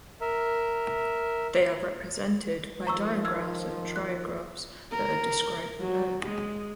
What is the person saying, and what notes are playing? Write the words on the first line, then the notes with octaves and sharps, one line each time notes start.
They are represented by digraphs and trigraphs that are described below.
A#4 E5
D#3 F3 A#5 C#6 E6
E6 F6 G#6
F#6
A#4
F#3
G#3